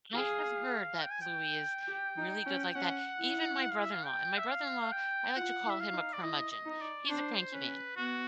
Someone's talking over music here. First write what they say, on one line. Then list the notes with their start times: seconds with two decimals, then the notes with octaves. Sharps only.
I have heard that Bluey is really good like that, even my brother-in-law and my brother-in-law, I like to call him a "curmudgeon", he's a cranky man,
0.14 G#4 F5
1.01 G5
1.11 G#5
1.21 G5
1.87 G4
2.17 D#4
2.46 C#4
2.75 C#4 F#5
3.18 E4
3.61 F#5
3.72 F5
3.82 E5
3.92 F5
4.05 G5
4.38 E5
4.49 F5
4.92 G5
5.36 F4 F#5
5.65 E4
5.70 E5
5.80 F5
5.93 D#4
6.13 D5
6.22 E4 D#5
6.51 D#5
6.66 D#4 D#5
6.81 D5
7.09 D4 C5
7.52 C#4 B4
7.96 B3 F#4